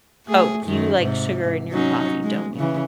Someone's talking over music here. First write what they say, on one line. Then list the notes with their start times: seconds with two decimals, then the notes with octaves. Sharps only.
Oh, you like sugar in your coffee, don't you?
0.26 A3 G#4
0.66 F#2 D#3
1.02 G#2 C3
1.71 F#3 C#4 D#4
2.24 G#3
2.56 C#3 E3